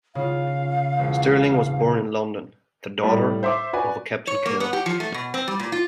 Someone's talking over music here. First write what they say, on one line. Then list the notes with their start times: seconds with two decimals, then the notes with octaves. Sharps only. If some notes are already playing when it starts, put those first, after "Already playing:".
Stirling was born in London, the daughter of a Captain Kehl.
0.15 C#3 F4 F5
0.99 E1
3.03 A2 G3
3.43 C5 E5 C6 D6
3.73 F#4 B4 D5 G#5
4.27 C#5
4.46 A#3
4.60 B3
4.73 G4
4.86 F3
5.00 A3
5.14 B2
5.34 C4
5.48 G3
5.59 A#2
5.72 F4